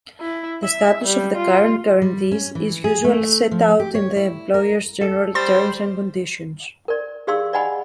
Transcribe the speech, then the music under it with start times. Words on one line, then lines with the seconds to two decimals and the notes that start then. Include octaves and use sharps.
The status of the current guarantees is usually set out in the employer’s general terms and conditions.
0.20 E4
0.64 E5
1.04 G3
1.36 F4
2.02 G3
2.31 C#4
2.55 E3
2.84 G#4
3.04 A3
3.51 F3
3.80 G4
3.95 C#5
4.16 E4
4.54 A#4
5.01 A4
5.35 G3 C5 C6 A6
6.88 A#4 D5
7.27 G4 G#4 D5 F5 C6 E6
7.53 D5 D#5 F#5 G#5 B5